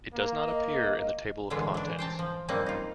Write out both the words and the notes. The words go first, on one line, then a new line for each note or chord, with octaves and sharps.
It does not appear in the table of contents.
A#3
D#5
A#2 D3 E3 G#3 F4
E3 D4
C5 G5 A5 A#5
F3
G3 A#3 C4 D4 D#4
D#4 F4